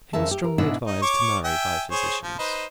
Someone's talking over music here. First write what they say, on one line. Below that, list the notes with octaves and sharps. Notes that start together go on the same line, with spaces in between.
He was strongly advised to marry by physicians.
F2 C#3 A#4 E5 A5
G4
A#4
G#2 B2 D4 E4 E5
D#4
C#5 C#6 D6
E5 G5 G#5
G#4 C5 C#5
F3
D#4 B4 C5